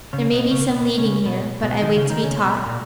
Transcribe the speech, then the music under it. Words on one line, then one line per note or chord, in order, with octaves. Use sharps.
There may be some leading here; but I wait to be taught.
C#3 C#4
B2 B3
C#3 C#4
B2 B3
C#3 C#4
B2 B3
B2 B3
D#3 D#4
C#3 C#4
D#3 D#4
C#3 C#4
B2 B3
A#2 A#3